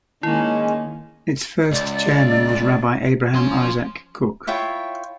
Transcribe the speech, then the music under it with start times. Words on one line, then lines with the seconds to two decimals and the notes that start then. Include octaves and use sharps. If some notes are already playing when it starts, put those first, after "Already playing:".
Its first chairman was Rabbi Abraham Isaac Kook.
0.23 D#3 G#3 A#3 C#4 E4
1.72 C#2 D5
3.34 F3 C#4 C6
4.47 E4 F4 C#5 G5